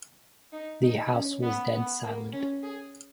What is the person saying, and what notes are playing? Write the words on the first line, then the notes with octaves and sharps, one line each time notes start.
The house was dead silent.
D#4
D#4
C#4
B3
B3
A#3
C#4
G#4